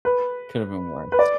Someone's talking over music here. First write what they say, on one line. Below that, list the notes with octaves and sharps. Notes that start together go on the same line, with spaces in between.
could have been worse.
B4
B4
D5